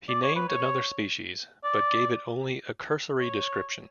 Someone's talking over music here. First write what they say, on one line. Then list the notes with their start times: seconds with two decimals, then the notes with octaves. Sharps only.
He named another species, but gave it only a cursory description.
0.09 D5
0.22 C#5
0.36 B4
0.49 C#5
1.64 D5
3.20 C#5